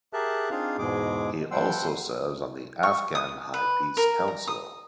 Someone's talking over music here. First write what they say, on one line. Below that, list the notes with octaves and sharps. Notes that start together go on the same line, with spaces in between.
He also serves on the Afghan High Peace Council.
G4 G#4 A#4 E5 A5 F#6
C4 D4 D#4 F4 G#4 F5
E2 G#2 B2 G#3 G#4 D6
F3 G3 F#5 G5 C6 E6
C#6
D#6
B4
A#4
A#5
D#6